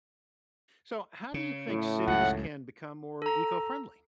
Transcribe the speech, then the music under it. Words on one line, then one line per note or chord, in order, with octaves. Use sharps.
So how do you think cities can become more eco-friendly?
C#3
A2
C#2 F#2 F#5
A4 A#5